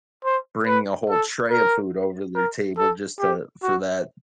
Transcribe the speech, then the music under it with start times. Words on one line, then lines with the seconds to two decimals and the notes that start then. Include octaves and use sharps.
bringing a whole tray of food over their table just to for that
0.24 C5
0.66 B4
1.09 A4
1.51 A#4
2.35 A#4
2.77 A4
3.20 G4
3.63 F#4